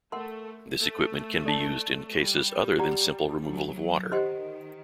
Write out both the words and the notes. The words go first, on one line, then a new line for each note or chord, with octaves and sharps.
This equipment can be used in cases other than simple removal of water.
A3 A#4 F#5 C6
A3
A4 D5 A5
G3
G4 D5 F#5 A#5
F#3
D#3 G4 C5 D#5 F#5 C6